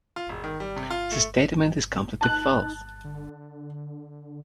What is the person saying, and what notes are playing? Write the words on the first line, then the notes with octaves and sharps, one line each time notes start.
This statement is completely false.
F4
E1
D#3
G3
C3
F4
A3
D#4 A5 F#6
D3